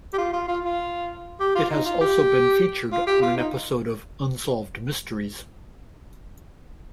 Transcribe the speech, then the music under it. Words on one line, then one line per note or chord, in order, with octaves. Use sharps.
It has also been featured on an episode of "Unsolved Mysteries".
G4
F4
F4
F4
F4
G4
F4
D#4
F4
G4
F4
G4
F4
D#4